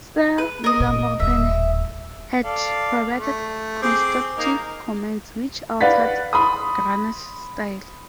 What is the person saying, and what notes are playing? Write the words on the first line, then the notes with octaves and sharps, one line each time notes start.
Sir William Orpen had provided constructive comments which altered Gruner's style.
B4
A#4 D#5
A#2
D#1 A2 E5
A4 D5 F5
A3
C4 G#4 D6
A#3 D#4 A#4
B4 D5 F5 F#5 A6 B6
B5 C6 D#6